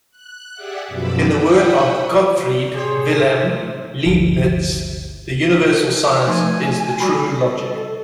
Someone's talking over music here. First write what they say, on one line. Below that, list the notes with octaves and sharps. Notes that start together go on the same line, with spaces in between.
In the work of Gottfried Wilhelm Leibniz, the universal science is the true logic.
F#6
G4 G#4 D5 E5 F#5
F#2 B2 F3 B5 D6 E6
E5 F#5 G5 B5 D#6
A2 C3 G4 G#4 C5 C#5
G1 D2 F3
F3 A3 D#4 G#5
G3 F#4 B5
A4